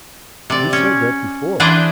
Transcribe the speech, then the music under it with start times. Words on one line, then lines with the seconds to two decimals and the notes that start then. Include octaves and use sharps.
"You said that before."
0.50 C3 D5
0.73 C#4
1.60 E3 D4 G#4 B4 C5 G5